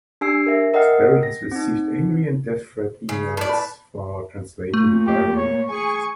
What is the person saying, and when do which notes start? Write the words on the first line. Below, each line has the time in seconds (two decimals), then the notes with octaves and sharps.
Berry has received angry and death threat emails for translating the diary.
0.21 D4 G4 G#5 E6 C7
0.46 A#4 E5
0.74 A#4 D#5 F#5 G5 F6
1.23 A#6
1.52 C4 D#4
3.09 C#3
3.37 A2 D5
3.49 B4 A5
4.74 A#2 A3
5.07 G4
5.36 C#5
5.71 G#4 G#5 C#6